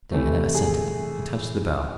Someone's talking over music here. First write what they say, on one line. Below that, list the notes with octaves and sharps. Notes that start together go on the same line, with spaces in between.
Diana assented, and touched the bell.
C3 E3 A3
G#4